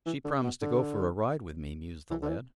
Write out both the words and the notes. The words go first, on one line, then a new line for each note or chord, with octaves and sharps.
"She promised to go for a ride with me," mused the lad.
E3
D3
B2
D3
E3
D3
E3